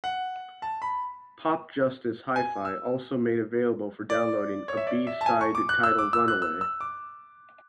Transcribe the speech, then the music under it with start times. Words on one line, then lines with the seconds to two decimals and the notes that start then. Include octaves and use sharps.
Popjustice Hi-Fi also made available for downloading a B-Side titled Runaway.
0.04 F#5
0.62 A5
0.82 B5
2.36 G#5
2.65 E6
4.10 D5
4.68 C#5
4.77 E5
4.87 D5
5.07 E5
5.21 A5
5.26 G#5
5.41 C#6
5.55 D6
5.69 F#6
5.83 E6
5.99 D6
6.13 E6
6.28 F#6
6.42 E6
6.61 E6
6.81 D6